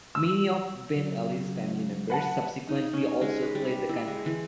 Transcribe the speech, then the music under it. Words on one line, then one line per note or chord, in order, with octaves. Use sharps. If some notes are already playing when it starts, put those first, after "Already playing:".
Many of Ben Ali's family members subsequently also fled the country.
E6
C#3 F#3
B4 F#5 A5
D#4
C#4
G#3
B4
G3
E4
G#3
E3